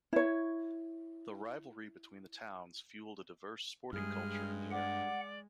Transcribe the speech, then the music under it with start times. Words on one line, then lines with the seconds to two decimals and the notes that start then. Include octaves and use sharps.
The rivalry between the towns fuelled a diverse sporting culture in the area.
0.13 E4 C#5
3.93 G2 G#3 G#4 F6
4.71 D5 F#5 D6